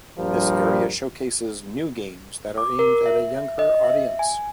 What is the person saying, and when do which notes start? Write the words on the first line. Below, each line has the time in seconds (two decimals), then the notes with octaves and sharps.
This area showcases new games that are aimed at a younger audience.
0.19 A#1 G2 F3 G3 A#4
2.58 D6
2.79 A#4
3.06 E5
3.59 D#5
3.84 E5
4.19 G#5